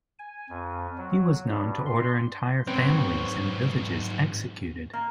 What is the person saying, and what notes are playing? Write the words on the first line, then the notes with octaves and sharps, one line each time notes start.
He was known to order entire families and villages executed.
G#5
F2
F#3
G2
C6
G#2 F#3 C4 B4 C#5
A#3